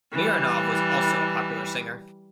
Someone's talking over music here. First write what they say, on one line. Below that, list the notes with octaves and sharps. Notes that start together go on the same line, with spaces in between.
Mironov was also a popular singer.
E3 G3